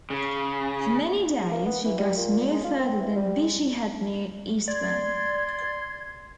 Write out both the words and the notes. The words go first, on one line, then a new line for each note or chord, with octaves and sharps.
For many days she got no further than Beachy Head near Eastbourne.
C#3
A#3
B3
E3
G3
A#2
G#3
F4
C4
E3
G3
G#3
D5 C6 G#6